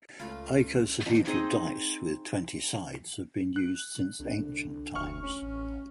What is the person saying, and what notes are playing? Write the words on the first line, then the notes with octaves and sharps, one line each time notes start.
Icosahedral dice with twenty sides have been used since ancient times.
C#2 A3 F4 F5 B5
C4 D#4 G#4 D#5
F#6
C2 D3
F1 D2 C#6 F6
C#4
A1